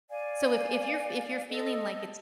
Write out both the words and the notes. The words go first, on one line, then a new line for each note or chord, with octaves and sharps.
So, if if you're if you're feeling like it's
D5 F5 G#5
A4 D#5